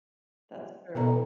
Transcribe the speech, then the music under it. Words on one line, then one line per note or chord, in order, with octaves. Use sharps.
that's true.
B2 B3 A4 A#5